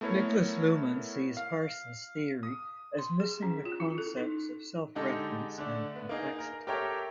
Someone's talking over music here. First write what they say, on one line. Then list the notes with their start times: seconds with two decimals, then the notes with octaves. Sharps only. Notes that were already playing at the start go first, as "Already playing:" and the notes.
Niklas Luhmann sees Parsons' theory as missing the concepts of self-reference and complexity.
0.01 A3 B3 E4 A#4 C#5
1.37 F5
2.43 D#6
2.98 C6
3.20 G#4
3.43 C#4
3.65 F4
3.80 E4
3.98 A4
4.17 D#4
4.95 D3 G#3 D#4 G4 A4
5.58 D3 A3 D4
5.96 B3
6.09 A#3 D#4 G#4
6.38 A#4
6.67 G4 A4 A#4 C#5 E5 G5